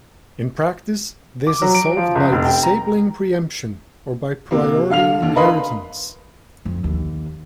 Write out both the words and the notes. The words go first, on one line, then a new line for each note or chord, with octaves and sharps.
In practice, this is solved by disabling preemption or by priority inheritance.
D6
F#3
D7
F3
C#2
F1
G5
A#5
C3 A#3
D3 F5 F6 F7
D#2 D3
A#4 B4 D#5 F5 B5 C6
F2
D#2